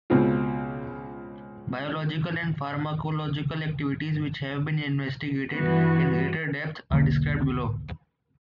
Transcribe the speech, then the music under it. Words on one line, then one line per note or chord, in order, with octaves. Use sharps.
Biological and pharmacological activities which have been investigated in greater depth are described below.
C#2 B2 C4 F4
G2 E3 B3 F#4
E1 B1 D3 A#3